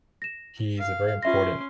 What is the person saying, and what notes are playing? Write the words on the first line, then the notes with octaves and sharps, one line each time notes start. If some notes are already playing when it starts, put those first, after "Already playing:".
he's a very important
A#6 E7
F5
C#4 F4 E5 C6 A#6